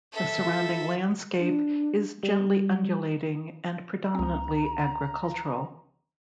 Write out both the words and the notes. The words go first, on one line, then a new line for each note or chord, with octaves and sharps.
The surrounding landscape is gently undulating and predominantly agricultural.
A4 E5
F4
D4
G3
C#2 C4 A#5